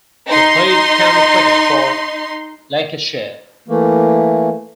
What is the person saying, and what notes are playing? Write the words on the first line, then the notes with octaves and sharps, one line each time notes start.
He played County Cricket for Lancashire.
D#4 C6
E3 A3 A#3